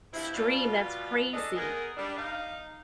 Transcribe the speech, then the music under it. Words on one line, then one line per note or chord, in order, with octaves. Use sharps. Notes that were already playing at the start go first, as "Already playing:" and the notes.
stream, that's crazy.
G2 F3 C4 E4
B2 G3 F4
C#4 D4 G#4 A4 D5 D#5
B3 G#4 A#4
G3 D4
D#4 F5